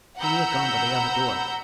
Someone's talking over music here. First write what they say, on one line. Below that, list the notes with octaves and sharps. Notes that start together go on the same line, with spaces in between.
"He may have gone by the other door."
F#5 A#5 B5 E6 G6